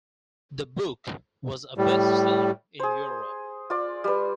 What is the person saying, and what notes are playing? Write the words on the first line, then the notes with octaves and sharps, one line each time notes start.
The book was a bestseller in Europe.
A2 G3
G#4 C5
F4 D5
G3 B4